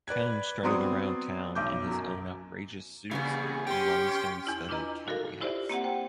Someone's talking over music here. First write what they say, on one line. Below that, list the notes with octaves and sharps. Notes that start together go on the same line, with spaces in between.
Cohn strutted around town in his own outrageous suits and rhinestone-studded cowboy hats.
B4 D5 F#6 G#6
F#3 B3 C4 D5 C6 D#6
B1 D6 G6
F#2 F#3
A#2 C#3 E3 G3 B3 G#4
C#4 G4 G5 C6
E2 E4 F6
D4 E4 F4 B4 D#5 A#5
D#4 F#4 A4 A#4 F5
E4 F4 G4 C5 D5 E5
A#3 C4 G4 F#5
C5 G5